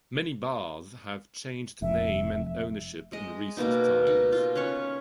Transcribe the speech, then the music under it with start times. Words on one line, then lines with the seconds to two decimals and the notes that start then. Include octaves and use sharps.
Many bars have changed name and ownership in recent times.
1.82 F1 E5
3.12 G#3 D#5
3.57 B2 A#3 B3 D#4
4.07 D#4
4.32 F4
4.55 C#4 B4 C#5 C#6